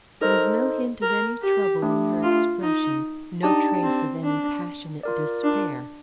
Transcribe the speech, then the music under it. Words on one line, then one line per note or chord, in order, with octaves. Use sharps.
There was no hint of any trouble in her expression, no trace of any passionate despair.
D#4 A4 A#4 C5 D#5
A#4
G4
A3 D4 G4
F4
D#4
D4 D#4 G4 D5 A5
C4
D4
F4 A#4 D5
D4